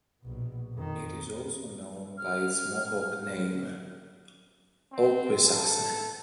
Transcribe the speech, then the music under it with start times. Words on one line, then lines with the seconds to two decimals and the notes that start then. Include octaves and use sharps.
It is also known by its Mohawk name, Akwesasne.
0.23 A#1 B2
0.74 F2 D#3
2.18 F6
4.92 C4
5.46 A4